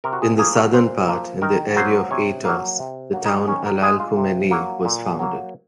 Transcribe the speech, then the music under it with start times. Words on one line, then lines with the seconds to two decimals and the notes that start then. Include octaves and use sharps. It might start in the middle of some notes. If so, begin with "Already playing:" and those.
In the southern part, in the area of Aetos, the town Alalcomenae was founded.
0.04 C3 A#4
0.13 F#4
0.22 G#4
0.38 F3 A#3 G#4
0.56 F#4
0.73 A#2 C5
1.08 F3 A#3
1.42 D#3 A#4
1.76 F#3 A#3 C5
2.11 C3 C#5
2.45 F#3 A#3 F5
2.79 C3
3.13 F#3 A#3
3.25 D#4
3.48 D#3 C#4
3.66 A#4
3.82 G#3 G#4
4.00 F4
4.17 C3
4.51 F#3 A#3
4.85 A#2
5.19 F#3 A#3